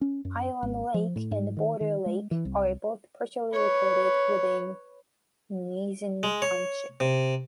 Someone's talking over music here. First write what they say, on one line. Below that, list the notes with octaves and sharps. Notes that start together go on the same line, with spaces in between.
Island Lake and Boulder Lake are both partially located within Gnesen Township.
C#4
F#2
G#1
F3
A2
G#2
D#3
D#3
G#3
E3
C2
B4 C#5
G#3
C#5
C3